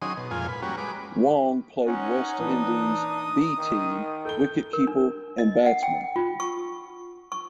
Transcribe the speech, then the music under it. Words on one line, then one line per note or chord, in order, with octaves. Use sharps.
Wong played West Indies ‘B’ team wicketkeeper and batsman.
D#3 F#3 C#4 G#4 C6 D#6
B2
F2 A#2 G#3 F4 G#5
B4
G3 A#3 C#4 F#4
G#3 B4 D6
C#4 D#4 F#5
A#2 E3 D4 B4 D#6
D#3
A4 G5 G7
A#4
D4
D#5
F#5
G5
F4
C#6
C#6